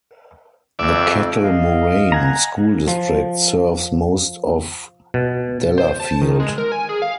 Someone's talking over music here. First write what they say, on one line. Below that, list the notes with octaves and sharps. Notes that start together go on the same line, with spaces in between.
The Kettle Moraine School District serves most of Delafield.
F2 D5 E5
D#5 F5
F#5 G#5 A#5
F3
B2
C5
A5
D#3
G#3
A#4
G#5
G#4
F5